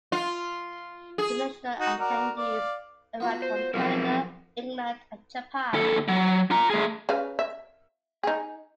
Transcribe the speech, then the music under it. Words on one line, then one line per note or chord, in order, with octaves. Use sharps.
International attendees arrived from Canada, England and Japan.
F4
G#4
D#4 F#4
F#4 A#4 D5
D5 F5
B3 F4 F#4
C5
B1 F3 B3 C4 G#4 A#4
D#2 A4
F#3
F4 A#5
A3 G#4
C#3 B4 F5
E5
D#4 G#4